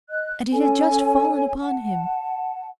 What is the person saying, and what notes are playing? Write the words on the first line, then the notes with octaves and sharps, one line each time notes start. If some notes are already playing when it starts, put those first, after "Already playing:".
And it had just fallen upon him.
D#5 F#6
C#4 A4 C#5 G#5
F#5 A5